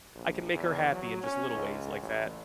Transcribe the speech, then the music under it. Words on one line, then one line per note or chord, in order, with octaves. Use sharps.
I can make her happy in just little ways like that,
A#1
E2
F#3
C#4
C#2
A1